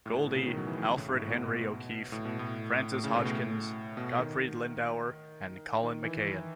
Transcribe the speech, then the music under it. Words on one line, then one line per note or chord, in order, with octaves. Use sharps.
Goldie, Alfred Henry O'Keeffe, Frances Hodgkins, Gottfried Lindauer and Colin McCahon.
A2
A2
B2
C#3
D#3
F#3
E3
A2
C#3
A2
G#2
A2
B2
A2
B2
A2
A2
C#3
B2
A2
B2
D#3
D#3
E3